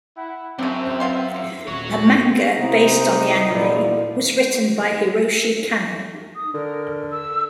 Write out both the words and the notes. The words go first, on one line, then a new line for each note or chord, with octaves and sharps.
A manga based on the anime was written by Hiroshi Kanno.
E4 F#5
F#2 C#3 C4 D4 E5
B3 F5 C6
D#1 F#4 C#5 C#6
C3 B3 C4 D#4 E4
E1 A#2 D3 E4 F4 B4 D5
D#6
D3 A#4
E6